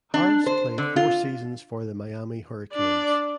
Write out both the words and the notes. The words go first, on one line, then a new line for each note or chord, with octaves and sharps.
Harris played four seasons for the Miami Hurricanes.
D4
C5
D3
F4
D4 D5